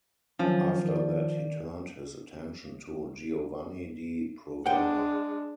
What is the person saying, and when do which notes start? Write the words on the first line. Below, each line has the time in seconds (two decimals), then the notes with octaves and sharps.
After that he turned his attention to Giovanni di Provera.
0.39 D#3 F3 F#3 C#4
0.85 D#3 D5
4.66 G#3 D4 F#5 G5